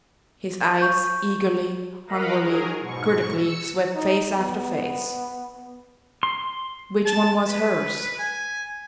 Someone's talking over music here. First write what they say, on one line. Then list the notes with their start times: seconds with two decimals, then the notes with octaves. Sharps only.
His eyes, eagerly, hungrily, critically, swept face after face. Which one was hers?
0.80 C#6 G6
2.07 A#4 D#5 F5 F#5 A#5 B5
2.40 D#3 F#3 G#4 A#4
2.80 G#2 B2 C#6
3.38 E6 C#7
3.95 D#4
4.36 B3
6.23 C6
7.05 A5
7.48 B4
8.19 G#5